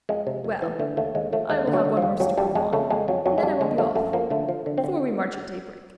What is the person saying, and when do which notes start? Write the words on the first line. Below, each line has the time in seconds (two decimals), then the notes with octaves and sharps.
"Well, I will have one more stoup of wine, and then I will be off, for we march at daybreak."
0.09 F2 G#3
0.27 C3
0.44 F2
0.62 E3
0.79 D3 A3
0.97 D#2 A3
1.15 D#2 G#3
1.32 F3 A3
1.50 D#2 G#3
1.67 D3
1.73 F#3
1.85 D3
1.97 F3
2.02 D#2
2.20 F2 F#3
2.37 F2 G3
2.55 F2 G#3
2.73 C#3 A3
2.90 F2 G#3
3.08 F2 F#3
3.26 F2 F#3
3.38 G#3
3.43 F2 G3
3.61 D3 G#3
3.78 F3 A3
3.95 F#2 A3
4.13 F3 A#3
4.30 D3 A3
4.49 F3
4.66 D3
4.78 C4
4.84 D3